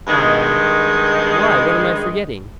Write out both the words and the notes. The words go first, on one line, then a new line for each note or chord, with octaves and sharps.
ION: Why, what am I forgetting?
G2 D#3 G#3